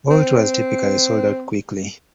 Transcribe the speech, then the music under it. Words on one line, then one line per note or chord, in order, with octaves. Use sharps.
All tours typically sold out quickly.
C4